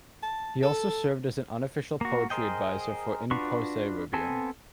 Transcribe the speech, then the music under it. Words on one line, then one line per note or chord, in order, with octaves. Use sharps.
He also served as an unofficial poetry advisor for "In Posse Review".
A5
A4
A#3 F#4
G#4 A#4 C5 D#5 G5
D4 F4 F#4 B4 C#6
B3 C4 A4 G#5 A5